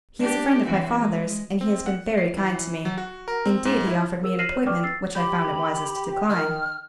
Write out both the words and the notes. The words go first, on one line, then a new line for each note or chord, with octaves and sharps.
He is a friend of my father's, and he has been very kind to me--indeed, he offered me an appointment, which I found it wisest to decline.
D4 G4
E3 C4 F#4
G#3
C4
F#5
C7
E3
F#3
F#4
A#4
C4
G#2
E4
G#4 A#4 E6
F6 A#6 C7 D#7 E7 F#7
B4 C#5
B4 D5 G5 C#6 D6 F6
E6 A6 C7
G4 B5
D#3 F6